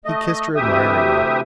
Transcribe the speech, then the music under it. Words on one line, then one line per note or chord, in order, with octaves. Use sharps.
He kissed her admiringly.
A3 D#5
D2 C3 E3 G4 E5 D#6